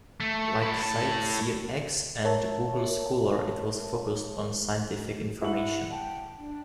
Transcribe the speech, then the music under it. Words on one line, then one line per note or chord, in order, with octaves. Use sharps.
Like CiteSeerX and Google Scholar, it was focused on scientific information.
A3
A4 B4
A2 A5
A#4 C#5 E5 A5
E4 F#5 F#7
G5 A5
D4